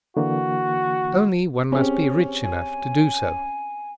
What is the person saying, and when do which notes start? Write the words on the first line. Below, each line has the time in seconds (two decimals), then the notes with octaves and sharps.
Only, one must be rich enough to do so.
0.17 D3 E3 A#3 F#4
1.72 C4 C#4 G4 G#4
2.43 G#5